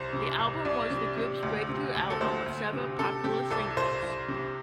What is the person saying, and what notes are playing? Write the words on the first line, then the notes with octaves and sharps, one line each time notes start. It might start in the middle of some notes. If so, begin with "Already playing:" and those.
The album was the group's breakthrough album with several popular singles.
Already playing: C2 C5
C3
C2
C2 D5
C3
C3
D2
C3
D2
A4
D2 C5
D2
C3
C3 A4
C3 G4
C2 A4
C2 C5
C2
C3